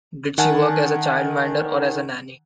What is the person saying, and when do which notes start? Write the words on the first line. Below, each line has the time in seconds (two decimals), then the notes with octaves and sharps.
Does she work as a childminder or as a nanny?
0.38 D#3 F#5 G#5 A5